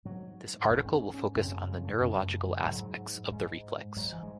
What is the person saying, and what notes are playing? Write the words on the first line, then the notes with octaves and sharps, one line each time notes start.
This article will focus on the neurological aspects of the reflex.
G#2 F#3
G#2 A3
C4
C#4
C#4
F#2 C#3 C4
A3
G#3
A3
F#2 C#3 C#4
A3
G#3
G#2 F#3
G#2
G#2 F#3
E3
G#3